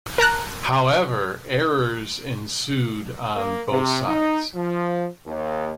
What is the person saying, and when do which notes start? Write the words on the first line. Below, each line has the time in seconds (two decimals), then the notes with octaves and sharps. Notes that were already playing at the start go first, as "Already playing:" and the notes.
However, errors ensued on both sides.
0.18 A#4 A5 A#5 F#6
3.35 A#3
3.70 C3
4.08 D#4
4.54 F3
5.25 D#2